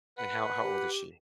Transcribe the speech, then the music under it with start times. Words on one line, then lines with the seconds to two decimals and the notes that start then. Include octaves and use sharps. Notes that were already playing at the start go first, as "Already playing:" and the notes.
And how how old is she?
0.18 B4 F#5
0.62 G4